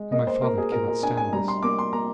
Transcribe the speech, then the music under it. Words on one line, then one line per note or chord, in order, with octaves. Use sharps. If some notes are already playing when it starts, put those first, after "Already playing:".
And my father cannot stand this.
Already playing: G#3
A#3 D#5
C5
A#3 A#4
G#4
A#2 A#4
A#4
D4 G#5
G#5
G3 A#5
C6
A#3 D6
C6
A#3 A#5